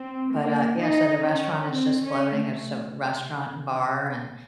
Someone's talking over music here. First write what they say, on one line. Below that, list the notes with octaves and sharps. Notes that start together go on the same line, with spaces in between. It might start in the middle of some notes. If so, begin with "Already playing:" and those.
But uh, yeah, so the restaurant is just floating, it's a restaurant and bar, and
Already playing: C4
A#3
D#4
C#4
C4
C#4
A3